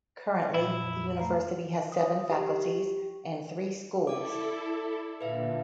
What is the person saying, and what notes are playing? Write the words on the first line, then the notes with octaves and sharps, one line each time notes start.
Currently, the university has seven faculties and three schools.
A#2 F3 E4
F2
A3 A#5
D#6
G4
E4 A4 D5 D6
A#2 D3 B4 E5 F5